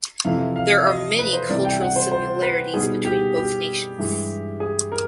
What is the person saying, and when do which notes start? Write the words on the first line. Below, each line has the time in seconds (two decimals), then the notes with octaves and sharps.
There are many cultural similarities between both nations.
0.25 F2 C3 E3 F5
0.56 F5
0.87 D#5
1.19 B4
1.33 C5
1.49 C3 E3 G3 D5
1.65 G5
1.80 F#5
1.96 C5
2.12 C5
2.42 B4
2.74 B2 G3 B3 D#4 G#4
3.05 G4
3.36 G4
3.98 G2 E3 G#3
4.60 G#4
4.92 A#4